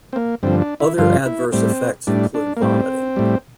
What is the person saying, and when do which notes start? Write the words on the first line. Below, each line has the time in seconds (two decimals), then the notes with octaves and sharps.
Other adverse effects include vomiting.
0.13 C4
0.16 A#3
0.43 G2 D3 F3 C4
0.62 D4
0.80 E4
0.98 G2 D3 F3 F4
1.26 E4
1.52 A2 G3 C4
2.07 A2 G3 D4
2.34 D4
2.57 A#3
2.62 A2 G3 C4
3.16 A2 G3